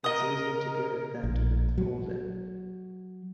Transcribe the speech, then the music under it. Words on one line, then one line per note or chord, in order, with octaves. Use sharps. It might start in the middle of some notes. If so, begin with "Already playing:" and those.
It's easier to give it than to withhold it.
A#4 D#5 D#6
A#1
F#3